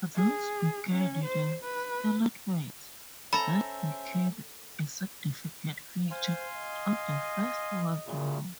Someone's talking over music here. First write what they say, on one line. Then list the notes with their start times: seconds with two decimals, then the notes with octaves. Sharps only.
Thus began the stalemate that became a significant feature of the First World War.
0.15 G#4
0.90 C#4
1.24 C5
1.64 B4
3.33 C#4 A4 C5 E5 A#5 B5
6.11 C5 F5 G#5 C6
6.56 D#5
8.06 F#2 A#2 C#3